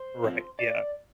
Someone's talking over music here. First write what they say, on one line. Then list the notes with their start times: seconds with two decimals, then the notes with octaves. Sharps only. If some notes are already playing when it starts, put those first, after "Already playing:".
Right, yeah.
Already playing: C5
0.24 F3 C4
0.59 D5